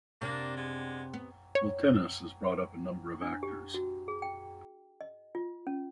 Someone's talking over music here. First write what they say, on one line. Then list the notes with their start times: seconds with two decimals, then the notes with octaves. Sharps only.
Miltinis has brought up a number of actors.
0.22 C3 A#3 D4
0.57 G#3 B3 D4
1.14 B3
1.55 C#5
3.22 D4
3.43 G4
3.74 F#4
4.08 G#4
4.22 G5
5.01 D#5
5.35 F4
5.67 C#4